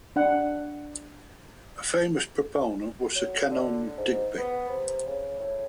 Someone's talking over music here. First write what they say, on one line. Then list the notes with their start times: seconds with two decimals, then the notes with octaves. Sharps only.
A famous proponent was Sir Kenelm Digby.
0.16 D4 F#5
3.16 F#3
3.51 D3
3.97 G#2
4.38 B3
4.69 C3
5.07 C#3
5.40 A2